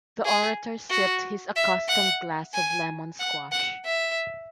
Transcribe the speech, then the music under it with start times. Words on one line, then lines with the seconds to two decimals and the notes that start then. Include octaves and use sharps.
The orator sipped his accustomed glass of lemon-squash.
0.25 G#4
0.90 F#4
1.56 E5
1.88 F#5
2.54 G#5
3.19 F#5
3.52 F#5
3.85 E5